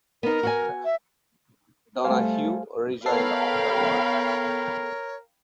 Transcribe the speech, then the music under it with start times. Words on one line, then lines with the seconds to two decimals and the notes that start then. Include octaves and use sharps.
Donahue rejoined afterward.
0.23 B3 D#4 A#4
0.43 F#4 F5 G#5
0.85 E5
2.04 G3 A3 C5 F5 G#5
3.05 B3 A4 A#4 C#5 F5 G5 B5 C7